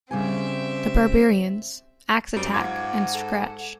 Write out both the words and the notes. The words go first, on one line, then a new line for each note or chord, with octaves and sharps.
"The Barbarians", "Axe Attack" and "Scratch".
C#3 G3 C4 E5 G#5
F#2 G3 C4
G#2 F4 F#5 D6 G#6
A4